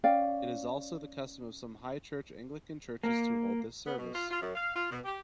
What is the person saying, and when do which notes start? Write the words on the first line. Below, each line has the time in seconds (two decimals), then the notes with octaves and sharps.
It is also the custom of some high-church Anglican churches to hold this service.
0.04 C#4 D5 F5 G5
3.03 A#3
3.86 B3
3.98 B2
4.13 F4
4.29 F4
4.40 F#2
4.55 F5
4.75 F4
4.91 B2
5.04 G4